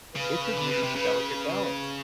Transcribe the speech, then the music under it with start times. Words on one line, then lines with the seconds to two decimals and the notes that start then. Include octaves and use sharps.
It's a really delicate balance.
0.15 C#3 B4
0.57 D3
0.70 C#3
0.83 C3
0.95 C#3